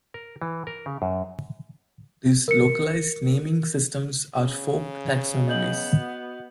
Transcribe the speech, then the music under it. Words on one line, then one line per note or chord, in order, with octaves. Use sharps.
These localised naming systems are folk taxonomies.
A#4
E3
A#4
C#3
F#2
A#4 C#7
C#3
B3 D#5 G6 F#7
F#4